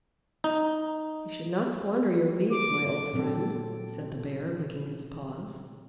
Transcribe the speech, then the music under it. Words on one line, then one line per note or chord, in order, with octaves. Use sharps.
"You should not squander your leaves, my old friend," said the Bear, licking his paws.
D#4
D6
A#2 F#3 C4 A4